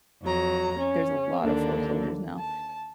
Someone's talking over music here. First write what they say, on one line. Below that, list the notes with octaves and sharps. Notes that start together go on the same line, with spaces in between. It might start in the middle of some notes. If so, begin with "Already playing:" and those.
there's a lot of foreclosures now,
F2 F#3 A#5
C#4
D#2 D3 A#3 D4
A5